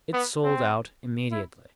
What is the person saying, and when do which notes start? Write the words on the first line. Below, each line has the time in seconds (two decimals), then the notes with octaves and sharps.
It sold out immediately.
0.13 B3
0.44 C4
1.32 E4